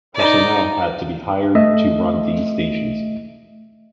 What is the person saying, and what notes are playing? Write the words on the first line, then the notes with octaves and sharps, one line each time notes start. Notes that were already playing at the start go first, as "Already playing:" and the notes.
Personnel had to be hired to run these stations.
D#4 D5
A3 D#5 E5